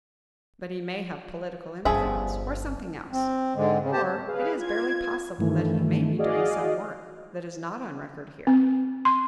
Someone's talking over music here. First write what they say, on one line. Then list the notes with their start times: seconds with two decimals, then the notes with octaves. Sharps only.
But he may have political influence, or something else, or, it is barely possible that he may be doing some work that is not on record here.
1.85 G1 F3 C#4 G#4 E5
3.12 C4
3.56 G#2 D3 G#3
3.79 C#3
3.92 G4 C5 A5
4.27 G#4 B4 F5
4.58 F4 G#6
5.38 G2 D#3 E3 A3
6.18 F#4 G#4 D5 D#5 F5
8.47 C4
9.05 C6